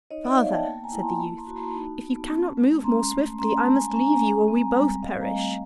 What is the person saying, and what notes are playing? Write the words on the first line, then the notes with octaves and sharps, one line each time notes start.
'Father,' said the youth, 'if you cannot move more swiftly, I must leave you, or we both perish!'
D#4 C#5 D#5
D5 E5
B3 D#5 F5
G5 A5
A#3 G5 A5
G#5 A#5
E4
A#5 C6
A#3 A5 B5
A#5 C6
F#4
A5 B5
D#4
B3
C#4
G#3
C#4 A#5 C6
A3
C#4 A#5 C6
A5 B5
G#3
G#5 A#5
C#4 G#5 A#5
G#3
C4
G3
C4 D#5 F5
G#5 A#5
A3